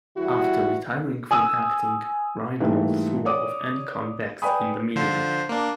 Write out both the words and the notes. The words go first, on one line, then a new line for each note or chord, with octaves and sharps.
After retiring from acting Reinholt swore off any comebacks in the medium.
E3 G3 E4 F#4
G#5 D#6 E6
G#2 E3 G3 A3 A#3
C#5 D5 D6 D#6
B4 D5 G5 G#5 B5 D#6
D3 F3 C5
A#3 D4